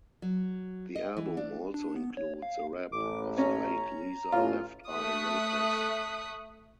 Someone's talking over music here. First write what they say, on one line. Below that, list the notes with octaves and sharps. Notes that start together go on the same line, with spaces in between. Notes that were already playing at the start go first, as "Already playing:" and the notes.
The album also includes a rap of the late Lisa "Left Eye" Lopes.
F#3
D#5
E3
D4
D4
B3
C#5
F5
A1 D6
C#4 A#5
A1 C#4 F4
A3 C#6 D#6 F#6 B6